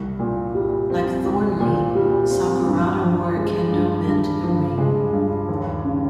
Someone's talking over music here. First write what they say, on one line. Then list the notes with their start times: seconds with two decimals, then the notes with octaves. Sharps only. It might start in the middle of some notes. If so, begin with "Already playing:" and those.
Like Thornley, Sakurada wore a Kendo men to the ring.
Already playing: C2
0.19 A#2
0.55 G3
0.90 C4
1.25 C2
1.60 A#2
1.95 G3
2.31 C4
2.66 G2
3.02 F3
3.37 G#3
3.72 G2
4.07 G2
4.43 F3
4.78 G#3
5.13 G2
5.49 D#2
5.85 C#3